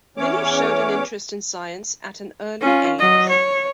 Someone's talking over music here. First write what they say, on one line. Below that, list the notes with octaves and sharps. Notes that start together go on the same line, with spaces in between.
Lilly showed an interest in science at an early age.
E2 E3 C#4 C#5 D6
C#4 F4
F#3 D#5
C#5